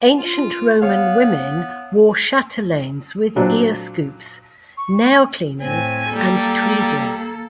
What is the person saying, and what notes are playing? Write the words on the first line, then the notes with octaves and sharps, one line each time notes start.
Ancient Roman women wore chatelaines with ear scoops, nail cleaners, and tweezers.
F4
B3 C#5 F5 F6
A#2 F#3 C4 D4
C#6
A2 C4 G#5
G3 A#3 A4